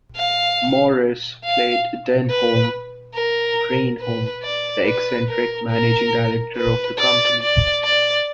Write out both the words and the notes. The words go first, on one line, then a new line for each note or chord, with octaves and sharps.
Morris played Denholm Reynholm, the eccentric managing director of the company.
F5
F5
B4
A#4
B4
D5
B4
A#4
A#4
B4
D5
D5
D5